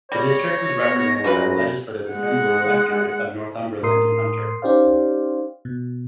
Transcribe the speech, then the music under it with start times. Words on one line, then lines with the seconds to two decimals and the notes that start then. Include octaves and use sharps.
The district was represented by the Legislative Assembly electorate of Northumberland and Hunter.
0.12 G3 C#5 A#6
0.89 B3
1.24 F#2 E3 F4 B4
2.11 G#3 F#5
3.83 A2 A#4 C6 D#6 C7
4.62 C#4 D#4 G4 C5 D5 F5
5.65 B2